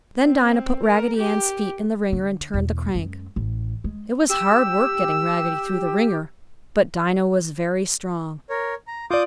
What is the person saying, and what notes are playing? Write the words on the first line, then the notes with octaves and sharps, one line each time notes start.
Then Dinah put Raggedy Ann's feet in the wringer and turned the crank. It was hard work getting Raggedy through the wringer, but Dinah was very strong.
C4
A#4
G4
D3
E2 B2
F#2 G#3
A1
G#3
G4 E6
A#4 C#5
A#5
F4 D5 D6 D#6 G6